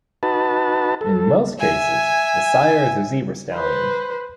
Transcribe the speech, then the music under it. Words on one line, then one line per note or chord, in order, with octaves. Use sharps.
In most cases, the sire is a zebra stallion.
D#4 F#4 B4 A5
A4
E5 G#5
B4 C5